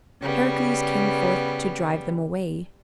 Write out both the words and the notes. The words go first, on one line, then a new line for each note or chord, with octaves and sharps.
Heracles came forth to drive them away.
C#3 G3 B3